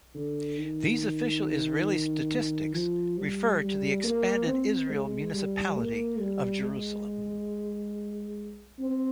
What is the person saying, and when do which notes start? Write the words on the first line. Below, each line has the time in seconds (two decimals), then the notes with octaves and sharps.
These official Israeli statistics refer to the expanded Israel municipality of Jerusalem.
0.14 D3
0.58 D#3
2.73 F3
3.18 G3
3.61 G3
4.04 A#3
4.46 C4
4.89 G#3
5.34 G3
5.76 A#3
6.19 G3
6.62 G#3
8.79 C4